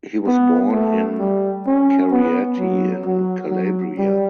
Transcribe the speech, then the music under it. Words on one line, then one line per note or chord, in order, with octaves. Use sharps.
He was born in Cariati in Calabria.
B3
A3
G3
C#4
B3
F#3
F#3
F#3
G3